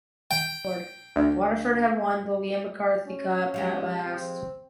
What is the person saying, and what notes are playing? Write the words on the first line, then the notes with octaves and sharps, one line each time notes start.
Waterford had won the Liam MacCarthy Cup at last.
G5
D2
C#4
F3 G#3 G4
C4